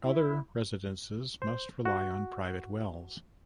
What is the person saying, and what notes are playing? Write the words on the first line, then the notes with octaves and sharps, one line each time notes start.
Other residences must rely on private wells.
E4
C5
F#4